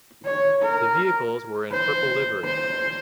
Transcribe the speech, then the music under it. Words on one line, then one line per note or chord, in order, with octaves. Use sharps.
The vehicles were in Purple Livery.
C#5
A#4
C5
C5